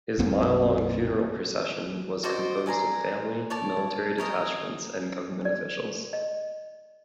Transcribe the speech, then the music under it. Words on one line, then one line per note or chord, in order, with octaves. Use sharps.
His mile-long funeral procession was composed of family, military detachments and government officials.
B1 F#2 A#3 C4
F#4 C5 D5 D#5
D5 G#5 A#5 C6
C#5 D5 A5
A#4 C#5 D#5 G#5
D5
D#5